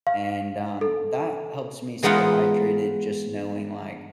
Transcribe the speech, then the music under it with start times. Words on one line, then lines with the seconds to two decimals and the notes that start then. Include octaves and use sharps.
and, um, that helps me stay hydrated, just knowing, like,
0.07 F5
0.81 A4
2.03 E3 G#3 B3 D#4 F4 F#5